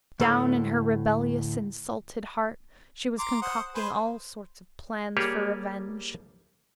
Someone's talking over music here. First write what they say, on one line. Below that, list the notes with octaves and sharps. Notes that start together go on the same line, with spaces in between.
Down in her rebellious, insulted heart she was concocting all sorts of plans for revenge.
D2 A2 A4 B5
A#5 C6 D6
C5 F#5 D#6
G#4 B4 C5
G3 A#3 G4 G#4 C#5